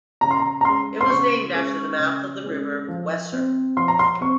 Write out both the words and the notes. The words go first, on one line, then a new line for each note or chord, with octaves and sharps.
It was named after the mouth of the river Weser.
C#3 A#5
C6
A#5
A#5
G#3 C#4 C6
C6
C#3 C#6
G#3 C#4
C#3
G#3 C#4
F3
C4
F3 C6
A#5
C6
C4 C#6